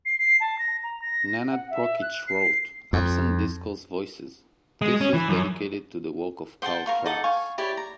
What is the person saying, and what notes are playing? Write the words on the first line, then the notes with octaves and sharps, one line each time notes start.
Nenad Prokic wrote "Absent Discourse Voices" thesis dedicated to the work of Karl Kraus.
C7
C7
A5
A#6
A#5
A#6
F#5
E5
F#6
C7
F2
G#3
C#4
E3
F#2
C5 F#5 G5 A5
A#4 F5 C#6
D#4 A4 F#5 D6
F5 G#5 C#6
E4 G4 C#5 D5
A#5